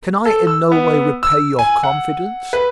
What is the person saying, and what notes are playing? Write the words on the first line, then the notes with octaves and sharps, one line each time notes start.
Can I in no way repay your confidence?
A4
E6
B3
E6
G#5
F#5
B4